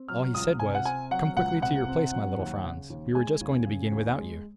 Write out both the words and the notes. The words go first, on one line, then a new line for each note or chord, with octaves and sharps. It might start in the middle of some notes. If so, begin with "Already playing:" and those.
All he said was, "Come quickly to your place, my little Franz; we were just going to begin without you!"
Already playing: C4
F#3 F6
C#2 D#6
C3 G#5
F#5
C4 G#5
F#3 F#5
C#2 F#5
C3 F#5
C4
F#3
D#2
C#3
D#2
G#3 G#5
D#2
C#3
D#2
G#3